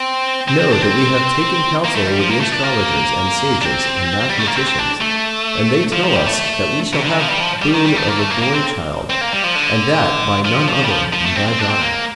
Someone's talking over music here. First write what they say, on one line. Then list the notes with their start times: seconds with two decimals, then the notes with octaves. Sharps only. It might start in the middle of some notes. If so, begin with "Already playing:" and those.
Know that we have taken counsel with the astrologers and sages and mathematicians, and they tell us that we shall have boon of a boy child, and that by none other than thy daughter.
Already playing: C4
0.48 C4
0.60 C4
0.71 D4
0.82 C4
1.84 A#3
1.96 A3
2.07 G3
2.19 F3
2.30 A#3
2.41 A3
2.52 D4
2.64 A#3
3.62 D4
3.65 C4
4.29 G3
4.39 A3
4.47 A#3
4.56 C4
4.68 C4
4.79 D4
5.01 A3
5.93 F3
6.04 F3
6.15 G3
6.26 A3
6.93 C3
7.03 D3
7.10 D#3
7.20 F3
7.28 G3
7.40 F3
7.62 G3
7.74 D#3
7.85 G3
7.96 A3
8.08 A#3
8.19 A3
8.30 A#3
8.42 A#3
8.53 C4
9.10 C4
9.21 A#3
9.33 G3
9.44 F3
9.55 D3
10.45 F3
10.68 F3
10.84 G3
10.91 F3
11.13 F3
11.25 A3
11.36 C4
11.48 C4
11.59 D4
11.70 C4
11.82 A#3